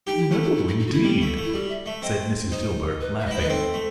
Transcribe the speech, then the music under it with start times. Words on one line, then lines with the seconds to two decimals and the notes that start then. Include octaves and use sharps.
"No, indeed," said Mrs. Dilber, laughing.
0.07 D#4 G4
0.18 E4
0.31 A3 E4
0.43 E4
0.55 E4
0.68 E4
0.79 D#4
0.87 F#4
0.92 E4
1.04 G3
1.21 A3
1.37 A3
1.44 E4
1.53 G3 F#4
1.70 E5
1.85 A3 E5
2.02 C4 D#5
2.51 D#4 C5
3.01 B4
3.19 E5
3.26 D#5
3.31 E4 C5
3.40 D#4 B4
3.49 C4 A4
3.74 A3